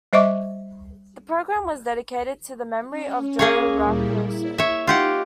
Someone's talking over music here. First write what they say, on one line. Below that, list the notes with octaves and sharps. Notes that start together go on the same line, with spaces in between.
The program was dedicated to the memory of Joe Raposo.
G3 C5 D#5 E5 C#6 D6
C#4
A#3 G#4 C#5
A#2 G3 E4
E4
C#5 E5
D#4 F4 G4 F#5